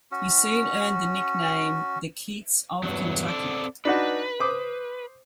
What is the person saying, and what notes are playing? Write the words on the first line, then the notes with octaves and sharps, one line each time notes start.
He soon earned the nickname the "Keats of Kentucky".
C#4 F#4
E2 G2 F#3
C4 A4 D5
D4 D#4 F#4 B4
C5 D6 D#6